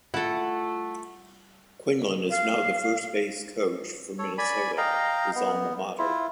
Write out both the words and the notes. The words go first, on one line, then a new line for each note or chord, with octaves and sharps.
Quinlan is now the first base coach for Minnesota, his alma mater.
A3 E4 F4 A4 F#5
F5
A4 C#5
D5 G#5 B5
D#5 F5 G5 A#5
B3
E4 F4